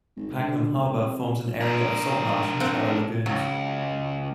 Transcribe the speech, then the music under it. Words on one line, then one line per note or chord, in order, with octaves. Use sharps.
Pagham Harbour forms an area of saltmarsh and shallow lagoons.
G#1
D3
E1
C3
D4 A#4
C4 F#5 G5
C#2 F#3